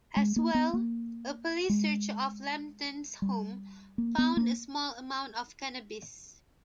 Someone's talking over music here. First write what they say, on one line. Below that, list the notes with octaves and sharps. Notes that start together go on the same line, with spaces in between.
As well, a police search of Lambton's home found a small amount of cannabis.
G#3
A#3
B3
A#3
G#3
G3
A#3
B3
A#3